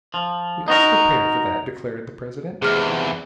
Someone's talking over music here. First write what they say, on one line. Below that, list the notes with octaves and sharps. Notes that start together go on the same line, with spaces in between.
"We are prepared for that," declared the president.
F3
D#4 F#4 A#4
E2 C3 G#4 F6